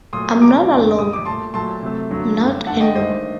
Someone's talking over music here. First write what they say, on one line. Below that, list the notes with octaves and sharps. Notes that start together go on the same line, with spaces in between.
I'm not alone... not anymore.
A#2 F#3 A3 C6 D#6
C3 G3 A#5 D6
F#2 D3 A3
A#2 G3 D#6
D6
A#2 A3 A5 C6
A#2 F#3 A3 A5 C6
C3 F#3 A3
G2 D3 F#3
G2 D3 A3
G2 D3 A3 F#5 A5
D#5 G5
G2 D#3 A3 C5 D#5